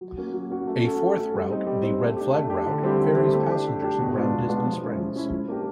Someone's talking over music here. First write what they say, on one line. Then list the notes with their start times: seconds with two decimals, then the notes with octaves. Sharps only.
A fourth route, the red-flag route, ferries passengers around Disney Springs.
0.01 F#3
0.17 A#3 C#4 F#4
0.34 F#3
0.50 A#3 C#4 F#4
0.67 A3
0.84 C#4 F#4 A4
1.00 A3
1.17 C#4 F#4 A4
1.34 G3
1.50 C4 D#4
1.67 G3
1.83 C4 D#4
2.00 A3
2.17 D4 G4
2.33 A3
2.50 D4 G4
2.66 D3
2.83 G3 C4 E4 G4
3.00 D3
3.16 G3 C4 E4 G4
3.32 A3
3.49 D4 G4
3.66 A3
3.82 D4 G4
3.99 B2
4.16 G#3 B3 D4 F4
4.32 B2
4.49 G#3 B3 D4 F4
4.65 F3
4.82 G#3 C#4 E4
4.98 F3
5.16 G#3 C#4 E4
5.32 F3
5.48 A#3 D4 G4 A#4